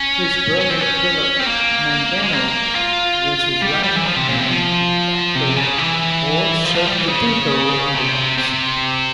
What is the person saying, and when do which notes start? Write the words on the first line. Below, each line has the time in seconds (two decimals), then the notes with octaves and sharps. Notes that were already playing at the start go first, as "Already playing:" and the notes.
His brother Philip Mangano was his right-hand man and "de facto", or "substituto", underboss.
Already playing: C#4
0.60 C#4
0.70 C4
0.80 C#4
1.40 C4
1.46 A#3
2.23 G#3
2.33 A#3
2.76 F4
3.62 G3
3.84 G3
3.96 E3
4.06 F3
4.16 C3
4.27 A#2
4.39 C3
4.49 F3
5.35 C3
5.57 C#3
5.78 E3
6.65 F3
6.76 F3
6.87 G3
6.98 E3
7.08 C#3
7.95 C3
8.38 C3